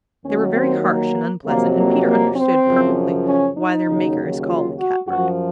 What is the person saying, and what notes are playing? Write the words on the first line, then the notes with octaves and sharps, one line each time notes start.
They were very harsh and unpleasant and Peter understood perfectly why their maker is called the Catbird.
D#2 D#3 F#3 C#4
C4
A#3
F2 C3 F#3 A#3
A#3
A#3
C4
F#2 C#3 F3
C#4
D#4
D#2 C#3 F#3
F4
F#4
F#2 F3 F#4